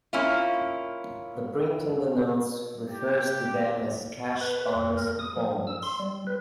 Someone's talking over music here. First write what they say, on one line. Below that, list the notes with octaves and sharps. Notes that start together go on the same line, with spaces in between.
The print on the 'notes' refers to them as "cash bonus coupons".
A#3 C#4 E4 F4
G4
B4
B4
F2
A#4
D#6
F3
E6
C6
G3
B4